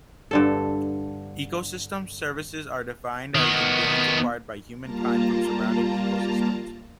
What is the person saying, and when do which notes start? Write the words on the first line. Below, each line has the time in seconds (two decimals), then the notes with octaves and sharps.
Ecosystem services are defined as the gains acquired by humankind from surroundings ecosystems.
0.31 G2 D3 A4
3.35 D#3 B3
4.80 G3 A#3 F4 A5 A#5